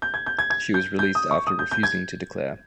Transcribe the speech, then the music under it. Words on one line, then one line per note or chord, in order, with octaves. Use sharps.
She was released after refusing to declare.
G6
G#6
G6
G#6
G#6
G6
G6
D#6
C#6
D#6
G6
G6
G#6